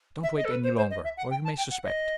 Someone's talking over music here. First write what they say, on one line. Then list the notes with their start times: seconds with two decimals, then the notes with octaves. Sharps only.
Don't wait any longer or he may suspect.
0.23 E5
0.37 D#5
0.45 A4
0.51 B4
0.64 C5
0.77 C5
0.90 D#5
1.04 E5
1.17 F#5
1.31 G5
1.44 A5
1.57 G5
1.71 F#5
1.84 D#5